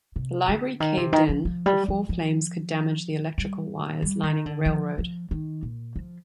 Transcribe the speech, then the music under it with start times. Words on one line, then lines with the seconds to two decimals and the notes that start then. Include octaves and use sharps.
The library caved in before flames could damage the electrical wires lining the railroad.
0.16 C3
0.48 D3
0.80 D#3
0.97 C3
1.13 D#3
1.29 F3
1.45 F3
1.66 G3
1.88 F3
2.09 F3
3.38 G3
4.02 G3
4.23 D#3
4.46 D3
4.66 F3
4.98 F3
5.31 D#3
5.63 A#2
5.96 F3